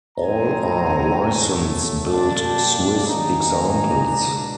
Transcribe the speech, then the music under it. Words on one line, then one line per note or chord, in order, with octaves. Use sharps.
All are licence-built Swiss examples.
A#2 F3 A3 C4 D#4 G#5 A#5
B2 F#3 A3
B2 G3 A#3 D4 G5 A5
D#3 F#3 A#3 D#4 G#5 A#5
B2 G#3 B3 D4